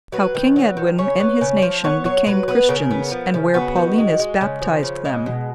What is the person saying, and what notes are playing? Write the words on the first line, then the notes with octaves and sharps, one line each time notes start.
How King Edwin and his nation became Christians; and where Paulinus baptized them.
F#3 B4
D#3
F#3
D#3
C#3 C#5
B3
C#3
F3
B3 C#5
F#3 C#5
F#3 B4
B3 B4
C#3 A#4
B3
F3
C#3
B3 F#4
D#3
G#3
G#3
C#3
F3
C#3
G#3
B2